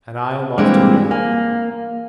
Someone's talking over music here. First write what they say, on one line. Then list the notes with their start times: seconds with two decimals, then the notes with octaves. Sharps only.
And I am off to the army.
0.58 E3 G3 G#3 A#3 C4 D4
1.11 A#3 G#5